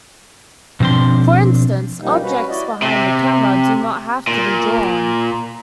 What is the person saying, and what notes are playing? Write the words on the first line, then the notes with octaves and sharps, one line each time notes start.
For instance, objects behind the camera do not have to be drawn.
B2 F3 C4 D4 C6
C#3 F3 G3 A#3 D#4
C#4 F#4 B4
E4 F#4 D5 D#5
C3
A#2